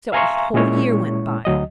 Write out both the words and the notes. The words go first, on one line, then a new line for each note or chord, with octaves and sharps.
So a whole year went by.
E5 F5 G#5 A#5 C6 C#6
A#2 G#3 C#4 E4 C#5 C#6
D2 F#3 D#5